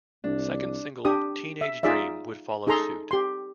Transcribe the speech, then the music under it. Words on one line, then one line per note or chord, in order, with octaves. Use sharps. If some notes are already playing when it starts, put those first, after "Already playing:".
Second single "Teenage Dream" would follow suit.
C2 D4
D4 G4 D#6
E5
D#4 F4 G#4 D5 E5
D#4 G#4 A4 A#5 C6
G4 C6